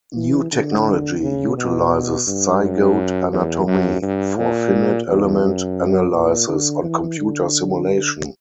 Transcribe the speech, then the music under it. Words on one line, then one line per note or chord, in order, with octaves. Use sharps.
New technology utilizes Zygote anatomy for finite element analysis and computer simulation.
E3
D3
C#3
B2
G2
F#2
E2
F#2
G2
A#2
E2
F#2
A#2
D3
E3
D3